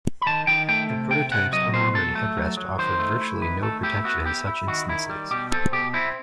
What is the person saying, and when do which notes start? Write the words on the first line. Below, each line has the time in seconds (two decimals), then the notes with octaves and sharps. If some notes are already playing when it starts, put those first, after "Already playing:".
The prototype's unarmored headrest offered virtually no protection in such instances.
0.22 B5
0.26 D#3 A5
0.47 D#3 G5
0.69 A3 G5
0.90 C3
1.10 C3 G5
1.31 C3 F#5
1.52 F#3 D#5
1.74 B2 C5
1.94 F#3 A4
2.15 A3
2.37 F#3
2.57 F#3
2.78 D#3 C5
2.99 A3
3.21 E4
3.41 D#3 B4
3.62 A3 A4
3.83 E4 G4
4.04 B3 F#4
4.26 E4 G4
4.47 E4
4.67 D#3 F#4
4.89 D#3 E4
5.10 G3
5.31 B2 G4
5.51 C4 A4
5.72 B2 G4
5.94 C4 E4